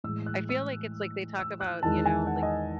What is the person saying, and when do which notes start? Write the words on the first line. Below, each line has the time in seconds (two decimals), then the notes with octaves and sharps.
I feel like it's like, they talk about, you know, like,
0.04 A2 E3 G#3 E6
0.26 F#6
0.49 E6
1.39 E6
1.61 F#6
1.83 E2 D#3 G#3 A5
2.06 G#5
2.27 F#5
2.43 D#5